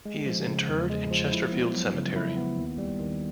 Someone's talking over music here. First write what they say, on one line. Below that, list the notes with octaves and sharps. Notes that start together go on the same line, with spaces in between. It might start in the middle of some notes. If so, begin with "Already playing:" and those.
He is interred in Chesterfield Cemetery.
G#3
F3
C#3
E2
G#3
F3
E4
B3
F#3
C#3
E4
B3
D#2
G3
D#3